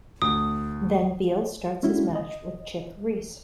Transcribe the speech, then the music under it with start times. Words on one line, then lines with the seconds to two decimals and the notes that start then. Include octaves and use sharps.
Then Beal starts his match with Chip Reese.
0.22 D2 D#6
1.83 G#3 C#4 D4 E4 F#4
2.15 D#5